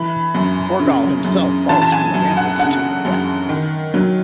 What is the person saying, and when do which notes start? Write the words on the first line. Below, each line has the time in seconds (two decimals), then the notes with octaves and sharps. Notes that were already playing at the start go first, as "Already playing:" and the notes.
Forgall himself falls from the ramparts to his death.
Already playing: E3 B5
0.35 F#2
0.80 C#3
1.25 F#2
1.69 E3 A5
1.82 A5
1.92 G#5
2.14 F#2
2.37 F#5
2.59 C#3 F#5
3.05 F#2
3.49 D#3
3.94 F#3